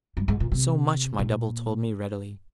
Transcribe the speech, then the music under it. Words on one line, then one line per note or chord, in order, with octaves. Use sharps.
So much my double told me readily.
G2
G#2
A#2
C3
A#2